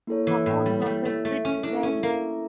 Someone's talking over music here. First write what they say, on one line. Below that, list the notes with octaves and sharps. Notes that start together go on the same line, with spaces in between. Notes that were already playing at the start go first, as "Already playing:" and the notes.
Accounts of the trip vary.
A#3 E4 A4 C#5
E3
A2
G3
G3 A3
A3
A3
C#4
D4 E4 A4 E5
C#4
A#3